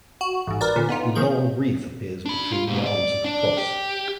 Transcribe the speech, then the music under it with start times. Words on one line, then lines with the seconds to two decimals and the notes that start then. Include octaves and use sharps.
A laurel wreath appears between the arms of the cross.
0.21 F#4
0.47 A1 G#2
0.61 A#4 B4 D5
0.76 A#2 D3 C#4
0.89 B3 D#4 F4
1.15 D#3 F3 G#4 G6
2.26 D4 B5
2.52 F4
2.67 G#2 B2
2.86 D5
3.24 D4
3.57 G4